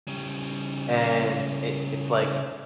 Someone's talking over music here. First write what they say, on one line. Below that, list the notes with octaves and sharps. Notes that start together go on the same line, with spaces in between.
And it it’s like
C#3 G3